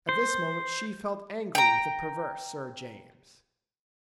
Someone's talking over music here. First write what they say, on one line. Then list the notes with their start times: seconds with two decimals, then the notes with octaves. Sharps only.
At this moment she felt angry with the perverse Sir James.
0.09 C5
1.55 G5 A#5